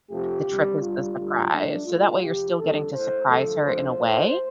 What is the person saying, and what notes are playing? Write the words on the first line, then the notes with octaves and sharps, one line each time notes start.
The trip is the surprise. So that way you're still getting to surprise her in a way.
F2 C3 F3 A3 G4
D2 C3 G3
G2 G3 F4
D2 D3 G3
G2 F3 A3 D4
A2 A3 F4
F2 C3 F3 G4
F2 D3 G3 A4
A2 A3 C5
G2 D3 F3 A3 A4
D2 D3 F3 A3 C5
A2 A3